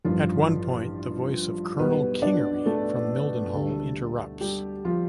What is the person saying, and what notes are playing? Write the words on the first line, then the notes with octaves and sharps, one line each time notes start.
At one point the voice of Colonel Kingery from Mildenhall interrupts.
A1 G2 F3 F4
B1 B2 G3 B3 B4
D4 D5
A3 A4
D2 D3 G3
G3 G4
F3 F4